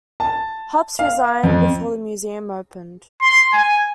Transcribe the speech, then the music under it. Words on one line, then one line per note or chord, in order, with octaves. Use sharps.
Hopps resigned before the museum opened.
A5
F5
F2
C6
G#5